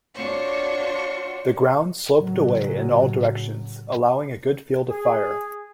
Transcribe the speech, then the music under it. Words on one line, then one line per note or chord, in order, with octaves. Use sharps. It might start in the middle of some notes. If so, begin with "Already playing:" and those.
The ground sloped away in all directions, allowing a good field of fire.
D4 F4 F#4 C5 C#5 C#6
A2 C#3 F#3
G#4